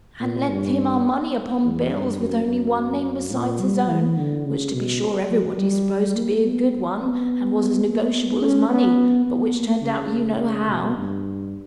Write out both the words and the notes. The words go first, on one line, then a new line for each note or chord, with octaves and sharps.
And lent him our money upon bills, with only one name besides his own, which to be sure everybody supposed to be a good one, and was as negotiable as money, but which turned out you know how.
A#2
G2
E2
G2
F#2
F#2
A#2
G3
E3
D3
C#3
B2
F#3
G3
A#3
B3
B3
A#3
B3
C#4
B3
B3
A#3
C#3
B2
G2